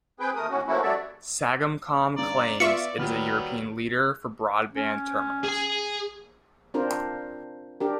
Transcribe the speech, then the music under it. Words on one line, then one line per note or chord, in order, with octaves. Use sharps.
Sagemcom claims it is a European leader for broadband terminals.
C4 G#4 B4 G5
D#2 A3 A#4 D#6
D#2 A2 C#4 F#4
F3 A3 A#3 C#4 E4 F#4
G3 F#4 A4 C#5 D5 E5
G2 C#3 D5 A#5
B3 F4 D5 E5 C#6 C#7
D#2 F#3 G3 B3 F6
C#4
G#4 G#5
C4 D4 F4 A#4 C5
D4 G4 A#4